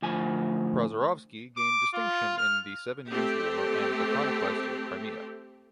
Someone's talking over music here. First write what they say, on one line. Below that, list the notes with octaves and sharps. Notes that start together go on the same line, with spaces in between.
Prozorovsky gained distinction in the Seven Years' War and the conquest of Crimea.
D2 A2 F3 G#5
D6
F4
F6
A3 C4 G4